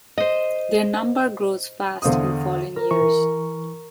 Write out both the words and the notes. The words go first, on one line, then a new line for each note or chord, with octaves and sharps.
Their number grows fast in the following years.
C5 D#5
E2 D3 C5 F5 D#6
A#4
E3 C#6